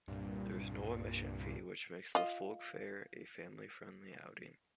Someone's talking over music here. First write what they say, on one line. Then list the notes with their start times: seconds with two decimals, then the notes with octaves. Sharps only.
There is no admission fee which makes the Folk Fair a family friendly outing.
0.08 C2 G2 A#2
2.15 F4 D#5